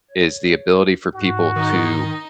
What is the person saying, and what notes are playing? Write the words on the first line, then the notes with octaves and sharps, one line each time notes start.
is the ability for people to
C#5
G#2 F#4
D#3 D#4